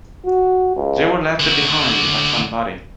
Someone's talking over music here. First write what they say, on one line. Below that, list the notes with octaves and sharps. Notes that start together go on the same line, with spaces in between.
They were left behind by somebody.
F#4
C#2
D3 F#4